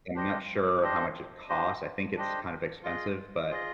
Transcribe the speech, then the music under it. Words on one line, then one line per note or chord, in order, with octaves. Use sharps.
I'm not sure how much it costs; I think it's kind of expensive, but,
D4 G4 C5 D#5
D4 G4 C5 D#5
D4 G4 C5 D#5
D4 G4 C5 D#5
F4 G#4 D#5
F4 G#4 D#5